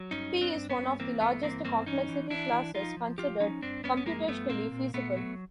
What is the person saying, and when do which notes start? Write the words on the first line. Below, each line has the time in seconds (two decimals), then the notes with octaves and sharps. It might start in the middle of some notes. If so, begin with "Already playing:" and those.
P is one of the largest complexity classes considered "computationally feasible".
Already playing: F#3
0.11 G2 C#4 D#4
0.33 G2
0.41 C4 D4
0.55 G2
0.70 B3 C#4
0.78 G2
0.99 E3 A#3 C4
1.21 G2 A3 B3
1.43 E3 A#3 C4
1.65 G2 A#3 C4
1.86 E3 C#4 D#4
2.09 E3
2.30 E3 D4 E4
2.52 E3
2.75 F3 D#4 F4
2.97 F3
3.18 F3 F4 G4
3.40 F3 C#4 D#4
3.62 G2 C4 D4
3.84 G2 B3 C#4
3.97 B3
4.06 F3 G#3 A#3
4.28 G2 A3 B3
4.49 A#2 A#3 C4
4.71 A#2
4.94 A#2 A3 B3
5.16 F#3